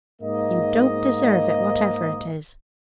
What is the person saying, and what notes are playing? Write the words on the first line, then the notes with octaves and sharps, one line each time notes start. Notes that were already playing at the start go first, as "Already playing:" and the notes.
You don't deserve it, whatever it is.
G#2 A#3 D#5